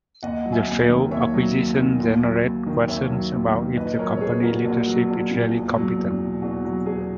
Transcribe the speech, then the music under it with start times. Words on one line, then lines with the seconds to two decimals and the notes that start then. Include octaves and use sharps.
The failed acquisition generate questions about if the company leadership is really competent.
0.23 D#2 D#5 F#5
0.45 F#3
0.52 E5 G#5
0.67 D#2
0.89 D#3
1.11 D#2 C#5 E5
1.34 F#3
1.56 D#2
1.77 D#3
1.99 D#2
2.22 F#3
2.44 D#2
2.66 D#3
2.88 D#2 C#5 E5
3.10 F#3
3.33 D#2
3.55 D#3
3.77 A#1 B4 D#5
3.98 F#3 A#4 C#5
4.16 C#5
4.21 A#1 G#4 B4
4.43 A#2 F#4 A#4
4.65 A#1 F#4
4.87 F#3
5.09 A#1
5.31 A#2
5.54 E2
5.76 F#3
5.98 E2
6.20 B2
6.42 E2 F#4
6.64 F#3
6.86 E2 G#4